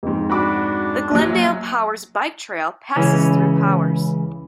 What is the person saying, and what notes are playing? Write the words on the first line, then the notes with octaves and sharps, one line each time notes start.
The Glendale-Powers Bike Trail passes through Powers.
F2 G#2
D4 F#4 B5 D6
A#1 F#3
C#2 C#3 E3 C#4